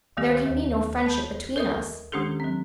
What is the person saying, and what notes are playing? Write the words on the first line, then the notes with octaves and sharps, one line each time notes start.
There can be no friendship between us.
D2 D#3 G3 B3 G4
D#2
A5 B5 G6
A4 A#4 D#5 E5 D#6 G6
D#3 G#3 C#4 D4 G4 A4
F#3 C4